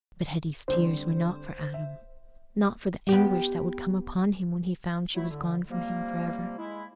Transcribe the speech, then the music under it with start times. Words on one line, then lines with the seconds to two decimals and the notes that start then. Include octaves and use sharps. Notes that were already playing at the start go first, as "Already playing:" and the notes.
But Hetty's tears were not for Adam--not for the anguish that would come upon him when he found she was gone from him for ever.
0.68 D3 G3 C4 C5
1.74 E5
3.09 B3 G4
5.15 F#3 A3 E4
5.30 D3
5.70 C3 F3 G3 A#3
6.58 G#3 E4